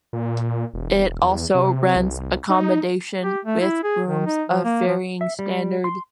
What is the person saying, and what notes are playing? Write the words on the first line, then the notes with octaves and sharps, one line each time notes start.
It also rents accommodation with rooms of varying standard.
A#2
E1
E2
C3
C2
D#4
G4
A3
E4
G#4
D#3
D#4
F3
A#3
F3
E5
G3
C6